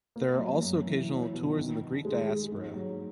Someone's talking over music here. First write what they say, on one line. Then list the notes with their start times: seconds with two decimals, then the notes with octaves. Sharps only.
There are also occasional tours in the Greek diaspora.
0.16 A#3
0.39 F#3
0.63 F#2
0.87 E3
1.10 F#3
1.34 B2
1.57 D#3
1.81 D#3
2.05 G#3
2.28 G#3
2.52 G#2
2.75 F#3